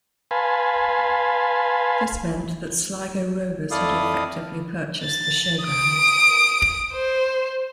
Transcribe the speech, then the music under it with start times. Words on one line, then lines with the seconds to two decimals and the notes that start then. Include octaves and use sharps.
This meant that Sligo Rovers had effectively purchased the Showgrounds.
0.31 B4 F5 G#5 A5 B5 C6
3.71 F2 E4 A4 D5 F5 D#6
5.04 A6
5.64 D#6 D7
6.92 C5